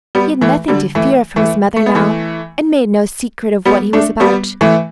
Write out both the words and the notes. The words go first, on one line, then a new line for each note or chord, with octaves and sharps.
He had nothing to fear from his mother now, and made no secret of what he was about.
G3 B3
E3 A3
D3 G3
E3 A3
E3 A3
A3
B3
E3 A3
G3 B3
A3 D4
G3 B3
E3 A3